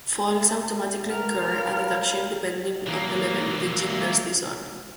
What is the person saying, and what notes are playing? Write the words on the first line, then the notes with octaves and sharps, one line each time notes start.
Falls automatically incur a deduction depending on the level the gymnast is on.
E5
A#4 B4 F#5 F6
C#5 F5 B5
E3 A#3